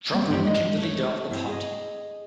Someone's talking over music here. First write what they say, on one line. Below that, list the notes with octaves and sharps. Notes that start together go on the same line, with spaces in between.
Trotman became the leader of the party.
G3 A#3 C4
D2 C4 C#4 G4 D5
G#3 D#4 D#5
A3 C#5
C4 E4
G#4 D#5